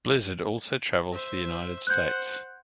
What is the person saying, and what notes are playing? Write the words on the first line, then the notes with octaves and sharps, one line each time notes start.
Blizzard also travels the United States.
C5 E5
C5 F#5 F#6 G6